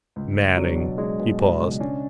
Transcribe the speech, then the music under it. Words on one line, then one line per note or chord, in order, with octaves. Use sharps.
"Manning." He paused.
C#2
C#2
F#3 D4
B2
G#3 D4
B2
B2
C#2
C#4 D4